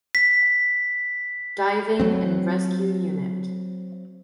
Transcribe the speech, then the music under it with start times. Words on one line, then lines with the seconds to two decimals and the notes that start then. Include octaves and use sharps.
Diving and Rescue Unit.
0.15 B6
2.00 F#3 C4